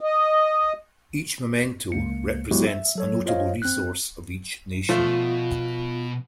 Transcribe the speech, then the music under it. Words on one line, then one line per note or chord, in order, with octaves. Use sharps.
Each memento represents a notable resource of each nation.
D#5
C#2 A#3 C#7
F#3 G#3 B3 E4 F#4 G4
E5
F#3 A4 C#5
F4 C5 C#5 D#5 F5
C4 F#6
B2 F3 A3 F4